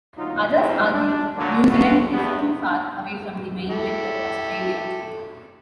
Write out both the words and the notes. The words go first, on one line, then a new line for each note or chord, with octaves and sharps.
Others argue New Zealand is too far away from the mainland of Australia.
D2 F#3 D#4 F4
F2 G#2 D#3 F3 C#4 E4
D4
A#2 D3 F#3
G#3 A3 B3 F4 F#4
E2 G2 B3
E4 G4 A4